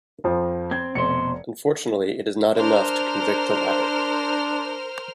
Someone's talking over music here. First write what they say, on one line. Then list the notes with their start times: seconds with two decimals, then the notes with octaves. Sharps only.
Unfortunately, it is not enough to convict the latter.
0.24 F2 F3
0.71 C4 G#6
0.95 F1 B2 C5 C#7
2.57 D4 A#4 C5 F6